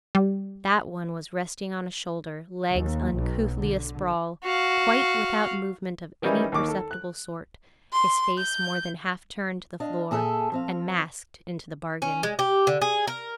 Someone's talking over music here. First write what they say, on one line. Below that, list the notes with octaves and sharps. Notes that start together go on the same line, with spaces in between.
That one was resting on a shoulder, legs uncouthly a-sprawl, quite without movement of any perceptible sort; his face more than half-turned to the floor, and masked into the bargain.
G3
D#2
B1
D3
F#4 F5
D#3 E3 G3 C#4 D#4 E4
D#2 D#3 C#6 D6
A4
F#6
C6
G6
D4 D#5 F5
A#2 G#4 A4 E5 G#5
F3 C4 F5
C#4
G#3
G4
D3
G#4
A#4